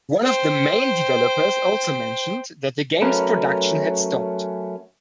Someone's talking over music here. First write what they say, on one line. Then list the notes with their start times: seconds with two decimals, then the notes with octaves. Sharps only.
One of the main developers also mentioned that the game's production had stopped.
0.25 C5 G5
3.02 F#3 A3 C#4 A#4 B4